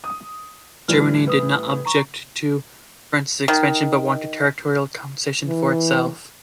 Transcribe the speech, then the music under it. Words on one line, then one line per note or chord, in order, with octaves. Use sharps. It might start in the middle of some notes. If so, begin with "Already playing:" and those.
Germany did not object to France's expansion, but wanted territorial compensation for itself.
D#6
A2 E3 G3 F6
B4 D#6
A#5 C#6
D#3
E3